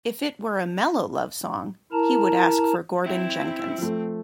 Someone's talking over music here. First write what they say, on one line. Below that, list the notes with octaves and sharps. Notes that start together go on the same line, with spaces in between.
If it were a mellow love song, he would ask for Gordon Jenkins.
E4 A#4 A5 A#5
C4 E4
F3 A3